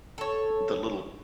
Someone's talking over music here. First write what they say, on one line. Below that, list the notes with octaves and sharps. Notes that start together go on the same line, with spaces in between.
the little
A4 C#5